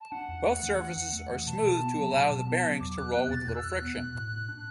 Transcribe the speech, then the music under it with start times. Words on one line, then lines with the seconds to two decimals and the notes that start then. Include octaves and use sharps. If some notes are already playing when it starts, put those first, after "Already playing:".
Both surfaces are smooth to allow the bearings to roll with little friction.
0.01 A5
0.12 D4 F#5
0.29 E2
0.45 A3
0.63 E3
0.80 D4
0.96 E2
1.12 A3
1.29 E3
1.46 B2 A5
1.63 B2
1.80 B3
1.97 F#3
2.14 B2
2.31 B2
2.47 B3
2.64 F#3
2.80 E2 D6
2.97 E2 F#6
3.14 B3 F#6
3.25 F#6
3.31 B2 A6
3.47 E2 F#6
3.55 E6
3.64 E2 F#6
3.82 B3
3.98 B2
4.15 A2
4.31 A2
4.49 D4